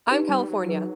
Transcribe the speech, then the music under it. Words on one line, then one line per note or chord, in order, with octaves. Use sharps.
I'm California,
D#4 G4 B4
G3
F#3
D#4 G#4 B4